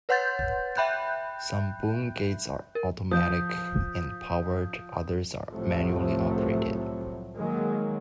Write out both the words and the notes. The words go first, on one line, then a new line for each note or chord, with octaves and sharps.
Some boom gates are automatic and powered, others are manually operated.
B4 C#5 F#5 C6 G6 A6
E5 G5 B5 F#6 G6
A#4
F3 D#6 G6
C2 A2 C3 F3 F#3 A3
D#3 F#3 G#3 A#3